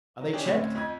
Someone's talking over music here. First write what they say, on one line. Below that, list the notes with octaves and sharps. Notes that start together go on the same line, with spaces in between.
"Are they checked?"
F#3
C#4 D4 G4 G#4
D2 A2 C4 C#4
F2 D#5 G#6